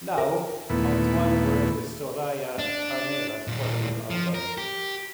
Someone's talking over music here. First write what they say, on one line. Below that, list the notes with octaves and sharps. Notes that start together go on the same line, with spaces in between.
Now, Antoine works with Soraya Arnelas for her new album.
A#4
D#2 A#2 A3 B3 E4
D4
A#2 G3
F3
A#4
G4